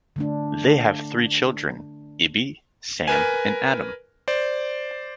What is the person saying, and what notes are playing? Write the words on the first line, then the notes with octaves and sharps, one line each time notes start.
They have three children, Ibby, Sam, and Adam.
D3 A3 D4
A#4 B4 G#5
C5 D5